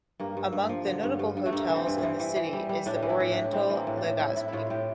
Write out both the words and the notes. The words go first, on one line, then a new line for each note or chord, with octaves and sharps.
Among the notable hotels in the city is The Oriental Legazpi.
G2 A#3
G2
G2
F3
D3
G2
G2
G2
A3
G2 A#3
E3
C4
G2
E3 C4
E3
E3
G3
G3
A2 D4
E3
E4
A2
D4
A2
G3 C4
E3
A#3
A2
D4
A2
A2 E4
A2 E4
E4
A2 F4
A2 G4